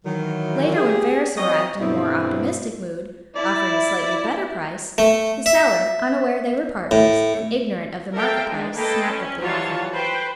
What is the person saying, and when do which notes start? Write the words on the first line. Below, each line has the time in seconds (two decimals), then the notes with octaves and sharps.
Later when Ferris arrived in a more optimistic mood, offering a slightly better price, the seller, unaware they were partners, and ignorant of the market price, snapped up the offer.
0.05 D#3 E3 F#3
0.76 G4 G#4
1.37 F#3 C4 C#5 D#5
1.80 G2 B2 A3 B3 C4 E4
3.36 E4 D5
4.98 A3
5.46 E5
6.91 A2
8.14 A4 A#4 E5 F5 G5
8.46 G#3 D4
8.76 A#3 A4 B4 D#5 G5 A5
9.06 C#4
9.39 E3 F#3 G3 F4 C#5 A5
9.92 B4 C5 G5